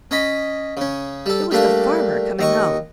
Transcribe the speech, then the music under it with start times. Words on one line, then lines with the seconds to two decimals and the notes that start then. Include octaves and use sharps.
It was the farmer coming home.
0.11 C#4 D#5 B5
0.77 C#3 C#4
1.26 G3 A4
1.51 G3 A3 A#3 D4
2.39 D#2 D#5 C#6